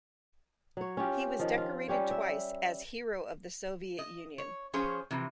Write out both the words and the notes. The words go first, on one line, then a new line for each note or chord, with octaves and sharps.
He was decorated twice as Hero of the Soviet Union.
F#3 C#5
C#4 F4 G4
D#3 F3
F4
G3 C#4 G4 C#5
E5
D#5
C#5
F3 C#4 G#4 C5 C#5
C3 E3 F3